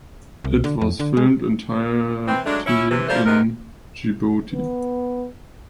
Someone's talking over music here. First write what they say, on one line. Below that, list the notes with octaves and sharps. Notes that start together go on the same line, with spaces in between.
It was filmed entirety in Djibouti.
C2
D3
F2
D3
G#3
E3 C4
F#3 G#3 A3 D4
C#4 E4
C3 E3
F3 G3 A3 A#3 A#4 C5
G#2 C3 G#3 B3 D#4 A#4
B3